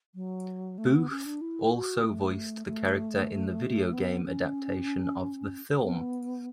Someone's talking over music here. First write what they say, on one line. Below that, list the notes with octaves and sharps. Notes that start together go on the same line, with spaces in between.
Booth also voiced the character in the video game adaptation of the film.
F#3
A3
B3
C#4
D4
E4
F#4
A3
A3
B3
C#4
B3